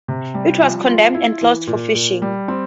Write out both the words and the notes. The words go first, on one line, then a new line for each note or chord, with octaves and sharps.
It was condemned and closed for fishing.
C3
G3
F3
F4
E4
E3
A#2
A#2
G3
C4